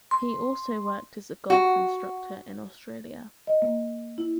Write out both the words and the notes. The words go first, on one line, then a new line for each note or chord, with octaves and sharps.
He also worked as a golf instructor in Australia.
C6
F#4
D#5
A#3
E4